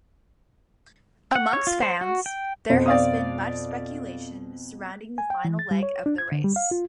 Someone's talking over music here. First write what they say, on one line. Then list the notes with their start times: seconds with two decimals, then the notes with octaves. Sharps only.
Amongst fans, there has been much speculation surrounding the final leg of the race.
1.35 F#5
1.53 C#5
1.67 F4
1.82 C5
2.01 F#4
2.26 G5
2.69 F2 B2 C5
2.86 D5 F5 D#6
5.18 G#5
5.30 G5
5.45 E3
5.59 A6
5.71 G3
5.83 C#5
6.06 D4
6.18 G#6
6.32 D3
6.44 G3
6.56 F5
6.71 F4